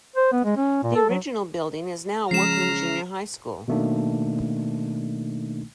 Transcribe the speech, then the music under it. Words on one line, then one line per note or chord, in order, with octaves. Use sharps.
The original building is now Workman Junior High School.
C5
B3
G#3
C#4
A#2
A4
F#3
C#3 F3 G#3 A#5 F6 C7 E7
B2 D#3 A3 A#3 D4 D#4